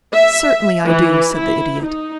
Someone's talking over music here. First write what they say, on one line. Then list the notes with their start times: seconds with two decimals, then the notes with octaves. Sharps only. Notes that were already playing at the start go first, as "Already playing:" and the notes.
"Certainly, I do," said the Idiot.
0.13 E5
0.87 E3
1.32 E4
1.85 D#4